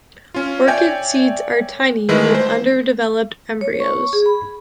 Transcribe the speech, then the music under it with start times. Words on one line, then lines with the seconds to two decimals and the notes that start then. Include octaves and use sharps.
Orchid seeds are tiny with underdeveloped embryos.
0.34 C#4 F4
0.67 C#5 D5 E5 G5 G#5 G6
2.09 D#3 E3 G#3 A3 B4
2.35 C5
3.61 C#5
3.80 C#6
4.13 G#4
4.26 B5